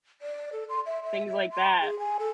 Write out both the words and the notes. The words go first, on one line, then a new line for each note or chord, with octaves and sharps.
things like that.
D5
A4
C6
E5
E5
E5
C6
G#4
G#5
A4